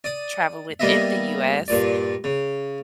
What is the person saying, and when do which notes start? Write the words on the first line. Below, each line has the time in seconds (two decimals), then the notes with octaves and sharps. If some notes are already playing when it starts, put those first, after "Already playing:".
traveled within the US,
0.04 D5 D#6
0.80 G3 A#3 B3 D#5 E5
1.68 G2 A#2 D5
2.24 C#3